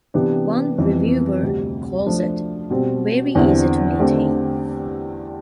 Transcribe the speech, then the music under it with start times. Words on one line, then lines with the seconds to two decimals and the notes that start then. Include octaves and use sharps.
One reviewer calls it "very easy to maintain".
0.14 C3 E3 B3 D4 G4
0.78 F2 E3 G3 B3
1.42 D2 C3 G3
2.06 F3 A3 D4
2.70 B2 G3 C4
3.35 E2 D3 G3 C4 E4
3.99 D3 A3 C4 G4